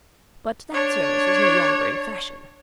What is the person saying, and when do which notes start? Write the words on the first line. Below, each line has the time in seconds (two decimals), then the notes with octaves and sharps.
But that service is no longer in fashion.
0.73 D4 C#5